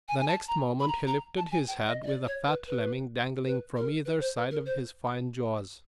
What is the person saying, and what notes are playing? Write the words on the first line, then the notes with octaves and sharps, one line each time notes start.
The next moment he lifted his head with a fat lemming dangling from either side of his fine jaws.
G#5
G#5
A5
A#5
B5
A#5
A#5
A5
G#5
G5
D#5
D#5
D5
C#5
B4
B4
B4
A#4
B4
C5
B4
A#4
C5